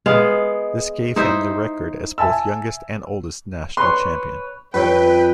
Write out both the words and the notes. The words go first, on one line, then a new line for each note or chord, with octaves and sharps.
This gave him the record as both youngest and oldest national champion.
G#3 B3 F5
D#4 E4 C5
E5 G#5 A5 E6
B4 C#5 C6
F2 C#4 G4 B4 C#5 G5